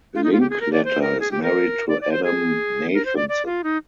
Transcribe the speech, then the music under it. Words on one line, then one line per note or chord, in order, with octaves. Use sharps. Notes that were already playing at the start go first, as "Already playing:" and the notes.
Linkletter is married to Adam Nathanson.
F4
D#4
F4
G4
G#4
A#4
D5
C5
A#4
G#4
G4
A#4
D5
D5
C5
G#4
A#4
C5
D5
D5
F4
D#4